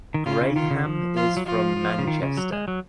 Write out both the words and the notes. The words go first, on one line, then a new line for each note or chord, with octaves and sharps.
Graham is from Manchester.
D#3
C#3 F4
C#3
D#3 F4
C#3
F3
F4
F#3
F3 F4
F3
C#3
D#3
C#3
F#3
G#3
F#3